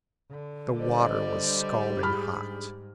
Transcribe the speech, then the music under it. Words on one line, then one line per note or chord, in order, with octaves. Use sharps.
The water was scalding hot!
D3
G3 D4 G4 C5 D5 D#5
G#2 D4 G#4 B5 F6